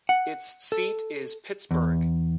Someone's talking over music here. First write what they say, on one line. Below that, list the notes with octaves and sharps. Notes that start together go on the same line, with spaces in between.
Its seat is Pittsburg.
F#5
A4
E2